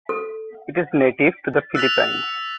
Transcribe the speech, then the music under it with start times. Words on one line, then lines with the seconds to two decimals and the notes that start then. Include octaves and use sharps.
It is native to The Philippines.
0.09 A4
1.75 E6 F#6 A6 B6 F7